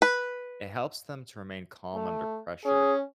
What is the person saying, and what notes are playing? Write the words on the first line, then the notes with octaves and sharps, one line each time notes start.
it helps them to remain calm under pressure,
B4
A3
C#4 G#4